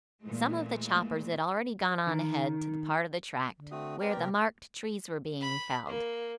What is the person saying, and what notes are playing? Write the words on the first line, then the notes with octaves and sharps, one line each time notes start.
Some of the choppers had already gone on ahead to the part of the tract where the marked trees were being felled.
A#2 E3 G#3 A3
D#3
D3
A3 C4 F#4 D#6
C4 G4 A#4 B4 D5
C3 A#3
B5
A#3